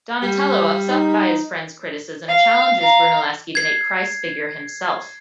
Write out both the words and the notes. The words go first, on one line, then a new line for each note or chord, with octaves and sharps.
Donatello, upset by his friend's criticism, challenges Brunelleschi to make Christ's figure himself.
G3
D#4
F5
F5 A#5
G#6 C7